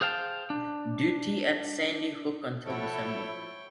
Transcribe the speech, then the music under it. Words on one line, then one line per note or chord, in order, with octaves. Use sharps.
Duty at Sandy Hook until December.
G#4 C5 F5 G5 A5
D4
F3 E4 F#4 A4 C#5 G5